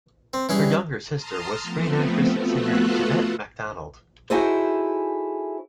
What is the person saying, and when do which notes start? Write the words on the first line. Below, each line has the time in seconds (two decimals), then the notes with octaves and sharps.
Her younger sister was screen actress and singer Jeanette MacDonald.
0.33 C4
0.49 E3 G3 C#4 G#4
1.14 A5 A#5 C6 D#6 F6
1.62 F3 A3 B3 C4
2.38 A3 B3 F4 F#4 A4 F#5
4.30 D#4 E4 F#4 G#4 A4 C5